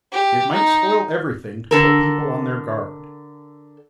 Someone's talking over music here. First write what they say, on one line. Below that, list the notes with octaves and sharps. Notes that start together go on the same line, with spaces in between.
"It might spoil everything to put people on their guard."
G4
D#4
D3 A4 A#4